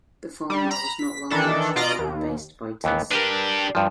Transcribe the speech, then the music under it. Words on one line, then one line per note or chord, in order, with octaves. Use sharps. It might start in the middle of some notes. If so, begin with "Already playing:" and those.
The Fulmar was not well matched with land-based fighters.
G3
A#5 B5
B6
D#3 E3 D4 A4
B2 F4 D5 D#5 A#5 D7
D#2
D#2 E3 B3
D4 G4 A#4 B4
G2 F3